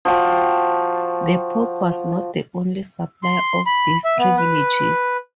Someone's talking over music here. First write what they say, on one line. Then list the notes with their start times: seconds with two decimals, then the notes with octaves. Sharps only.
The pope was not the only supplier of these privileges.
0.05 F3 F#4 G5 A5
3.23 C6
3.66 B5
4.05 E5
4.19 B3
4.37 B4